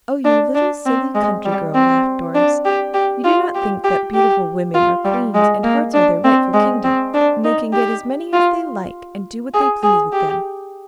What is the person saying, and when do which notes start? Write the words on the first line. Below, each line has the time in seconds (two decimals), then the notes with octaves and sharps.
"Oh, you little silly country girl," laughed Doris, "you do not think that beautiful women are queens, and hearts are their rightful kingdom, and they can get as many as they like, and do what they please with them."
0.25 D4
0.55 D4
0.86 C4
1.15 G#3
1.45 G3
1.75 C4
2.35 D4
2.65 G4
2.94 G4
3.24 F4
3.55 G4
3.84 G4
4.14 G4
4.74 F4
5.05 G3
5.34 G#3
5.63 A#3
5.94 D4
6.24 C4
6.54 G#3
6.84 C4
7.14 D4
7.44 D#4
7.73 G4
8.33 F4
9.54 G#4
9.83 G#4
10.13 G4